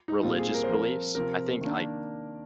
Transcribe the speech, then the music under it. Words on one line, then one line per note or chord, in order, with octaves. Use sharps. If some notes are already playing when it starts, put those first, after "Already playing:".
religious beliefs, I think, l c
D#4
A#2 G3 C4 F4
G#4
A#4
C5
F3 C4 A#4
C3 F3 C4 A#4
D#3 A#3 D4